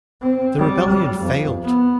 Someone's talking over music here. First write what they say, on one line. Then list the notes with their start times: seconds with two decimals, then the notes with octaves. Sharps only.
The rebellion failed.
0.21 C4
0.58 G3
0.89 G3
1.21 F2
1.64 B3